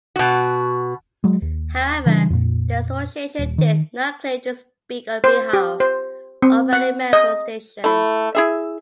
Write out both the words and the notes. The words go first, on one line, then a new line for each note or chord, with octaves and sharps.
However, the association did not claim to speak on behalf of any member stations.
B2 F#4
F#3 G#3
D#2
C#3 E3 G3 D4
F2 A#2
D#1
D#3
C5
G4
C5
C4
F#5
D#5
A3 E4
E4 G#4 E5